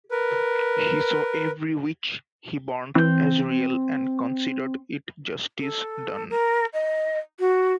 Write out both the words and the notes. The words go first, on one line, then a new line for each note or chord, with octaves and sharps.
He saw every "witch" he burned as real, and considered it justice done.
A#4 B4
E3 C4 G6
A4
A#4
D#5
F#4